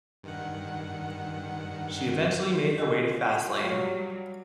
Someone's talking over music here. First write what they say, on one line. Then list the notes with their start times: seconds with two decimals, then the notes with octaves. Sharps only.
She eventually made her way to Faslane.
0.23 G2 D#3 F#5
2.78 F4 G4 D#5 G#5
3.58 F#3 G3 C#5 F5 C#6